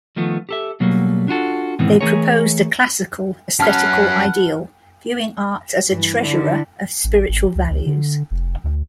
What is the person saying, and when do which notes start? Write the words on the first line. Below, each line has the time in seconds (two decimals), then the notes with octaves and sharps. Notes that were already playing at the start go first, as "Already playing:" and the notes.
They proposed a classical aesthetical ideal, viewing art as a treasurer of spiritual values.
0.16 D#3 F3 A3 B3
0.49 G4 A4 E5
0.80 B2 F#3 G3 A3 A#3
1.28 D4 F4 F#4 A4
1.79 G#2 B2 D#3 E3 B3 C4
2.01 E3 G3 A3 G#4 A#4 C#5
3.60 F#2 C#4 B4 F#5 A5 F6
5.87 G2 E3
6.21 D3 E4
7.04 A1
7.29 G#1
7.55 C#2
7.70 C#2
7.86 D3
8.31 F1
8.64 D2